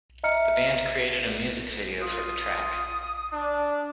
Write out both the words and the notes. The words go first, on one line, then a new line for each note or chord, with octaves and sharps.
The band created a music video for the track.
D#5 E5 A#5 F6 C#7
F4 D#6
D4